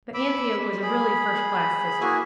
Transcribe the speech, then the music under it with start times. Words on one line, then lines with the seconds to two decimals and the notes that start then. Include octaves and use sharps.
But Anthea was a really first-class sister.
0.14 B5 D6 E6
0.82 G#4 B5
2.01 A#3 E4 F#4 G#4 E5 G#5